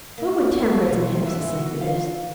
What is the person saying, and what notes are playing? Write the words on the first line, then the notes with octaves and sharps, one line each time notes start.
"What would Temperance and Hepsey say to this?"
A#3
F#3 A4
B2 F4
G#2 E3 E5
B3 F#4
F4 F5